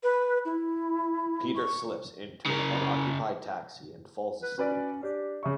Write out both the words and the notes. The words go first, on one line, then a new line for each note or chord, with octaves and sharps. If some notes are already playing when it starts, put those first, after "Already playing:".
Peter slips into an unoccupied taxi and falls asleep.
B4
E4
C#6
C#3 A#4
B4
C#4 F#4 B4 D5
D4 G4
C#3 E5 C#6